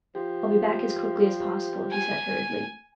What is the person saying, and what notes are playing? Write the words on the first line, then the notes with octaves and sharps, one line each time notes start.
"I'll be back as quickly as possible," he said hurriedly.
F3 G4
G#5